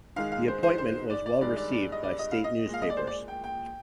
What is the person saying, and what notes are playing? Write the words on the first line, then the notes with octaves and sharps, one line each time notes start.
The appointment was well received by state newspapers.
G#2 D#3 G#3 F5
F5
C5
C5
C5
D5
D5
G2 D#3 G#3 D5
D5
D5
D#5
D5
D#5
F5
D#5
A#2 G#3
F5
D#5
D5
C5
D5
G5
G5